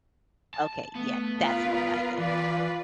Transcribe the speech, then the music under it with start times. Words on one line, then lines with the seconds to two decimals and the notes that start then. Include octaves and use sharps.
Okay, yeah, that's more like it.
0.54 A5
0.95 A3 B3
1.41 F4 A#4 B4
2.18 E3 F4 B4 D5